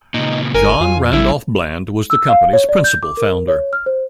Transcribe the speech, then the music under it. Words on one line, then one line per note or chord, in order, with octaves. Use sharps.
John Randolph Bland was the company's principal founder.
A#2 C#3 D#4
G1 A#4 G#5
F2 F4
A1 D3 G3 E4
E6
F5
C#5
D5
G6
D6
A#4
C#5
F6
C5